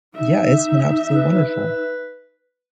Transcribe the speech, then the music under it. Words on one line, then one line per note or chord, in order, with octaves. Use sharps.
Yeah, it's been absolutely wonderful.
D#4 E5
B4